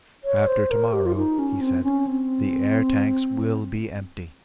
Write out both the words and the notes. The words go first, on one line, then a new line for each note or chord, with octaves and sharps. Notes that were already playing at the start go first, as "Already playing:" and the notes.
"After tomorrow," he said, "the air tanks will be empty!"
C#5
C5
A#4
G4
F4
D#4
C#4
C4
C#4
C4